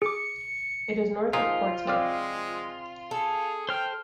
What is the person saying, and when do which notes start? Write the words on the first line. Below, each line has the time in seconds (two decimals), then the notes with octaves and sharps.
It is north of Portsmouth.
0.02 G#4 D6 C#7
1.33 F3 A#3 D#4 F4 G#4
1.87 G#3 C4 D5 F5
3.11 G#4 A4
3.69 C5 G5 F6